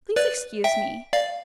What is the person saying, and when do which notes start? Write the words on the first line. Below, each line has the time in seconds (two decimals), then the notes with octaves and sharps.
Please excuse me.
0.16 B4 D5
0.64 E5 G5
1.13 D5 F5